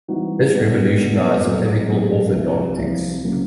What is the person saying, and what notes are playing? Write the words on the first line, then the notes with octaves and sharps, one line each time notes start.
This revolutionized clinical orthodontics.
E3 G3 C4 D#4 F#4
B2 G3 B3
B2 G3 B3
A#2 F#3 A3 C4 F4
A#2 F#3 A3 C4 F4
C2 C3 F3
C2 C3 F3
C#3 F#3 A#3